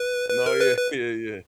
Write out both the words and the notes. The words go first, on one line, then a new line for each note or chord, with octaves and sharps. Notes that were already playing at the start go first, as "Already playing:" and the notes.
No, yeah, yeah, yeah.
Already playing: B4
B4
A#4
B4
B4